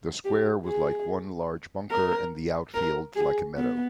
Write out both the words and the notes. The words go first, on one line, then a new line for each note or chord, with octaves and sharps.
The "square" was like one large bunker and the outfield like a meadow.
G4
G#4
A#4
A#4
G#4
B3